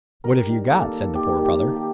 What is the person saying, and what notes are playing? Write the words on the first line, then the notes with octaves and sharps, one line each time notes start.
"What have you got?" said the Poor Brother.
G3 A#4
D#3
A#3 A4
D#3
D#3 G4
D#3
G4
D#3
G4